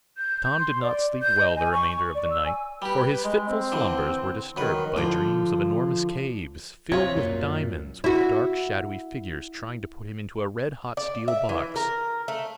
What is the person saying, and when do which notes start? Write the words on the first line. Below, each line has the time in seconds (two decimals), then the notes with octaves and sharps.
Tom did not sleep well the remainder of the night, for his fitful slumbers were disturbed by dreams of enormous caves, filled with diamonds, with dark, shadowy figures trying to put him into a red-hot steel box.
0.18 G6
0.41 G6
0.59 C6
0.82 D5
1.22 G6
1.40 D#5
1.56 G#5
1.72 C#6
1.90 C#6
2.15 D5
2.31 E6
2.46 G#5
2.82 G3 G4 B4
3.24 G#3
3.48 C4
3.72 D3 E3
4.57 F#2 D#3 B4
4.96 D3 F3
6.92 C3 F4 C#5
7.16 F#2 A#2
8.04 E4 F#4
10.97 D5
11.28 E5
11.49 E3
11.76 A#4
12.28 A3